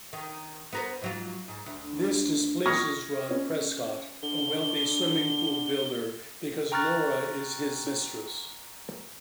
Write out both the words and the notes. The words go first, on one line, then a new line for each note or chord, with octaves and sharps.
This displeases Rod Prescott, a wealthy swimming-pool builder, because Laura is his mistress.
D#3
B3 A#4 C5
G#2 F#3 F4
G#2
D2
C#6 D#6 F6 G#6 A#6
C#4
D3 G7
G5 A#5 C#6 F6 F#6 A6